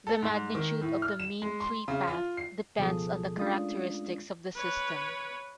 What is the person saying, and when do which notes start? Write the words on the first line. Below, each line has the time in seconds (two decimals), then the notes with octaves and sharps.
The magnitude of the mean free path depends on the characteristics of the system.
0.07 A4
0.22 G#2
0.55 D#3
0.81 A2
1.02 F6
1.20 E7
1.42 G#3
1.60 C6
1.88 C#3
2.07 F4
2.37 C7
2.78 C#2 B2 F3 G#4 A4 D#6
3.36 G#3 A3 C#4 D4 F4 D#6
4.56 B4 C#5